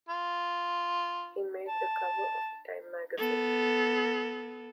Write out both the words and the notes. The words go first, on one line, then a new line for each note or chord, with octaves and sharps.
He made the cover of "Time" magazine.
F4
A5
B3 A4